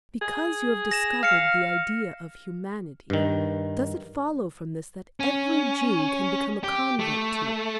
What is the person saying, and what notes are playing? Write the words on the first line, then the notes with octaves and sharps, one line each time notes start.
Because you have discovered the idea of humanity, does it follow from this that every Jew can become a convert to it?
G#4
A#6 E7
F5 F6 C#7
G2 D#3
C#4
G4
A3